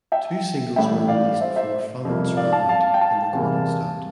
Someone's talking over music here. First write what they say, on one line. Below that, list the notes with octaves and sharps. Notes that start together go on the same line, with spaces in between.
Two singles were released before funds ran out and recording stopped.
E5 G5
A1 A2 G3 E5 G5
D5 F5
C5 E5
C5 E5
F2 C3 G3 A#3
D5 F5
F5 A5
F5 A5
G5
F5 A5
E2 C3 G3 A#3